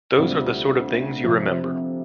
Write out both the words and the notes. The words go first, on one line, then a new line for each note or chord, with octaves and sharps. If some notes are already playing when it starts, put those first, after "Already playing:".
Those are the sort of things you remember.
D2 C3 G3 C4 F4
C3 F3 C4